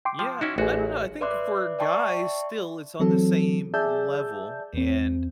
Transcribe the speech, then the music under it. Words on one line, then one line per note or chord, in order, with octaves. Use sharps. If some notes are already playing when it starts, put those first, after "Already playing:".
Yeah. I don't know, I think for guys, still, it's on the same level, and
G5 C6 D6
F3
C#4 D#4 E4 F#4
A1 A3 F#4 G#4
B4 D5 E5 C6 D6 F#6
D5 E5 G5 A5 C6 C#6
E3 F#3 C4 A4
G#4 D5 E5 A5 E6 G6
E2 C4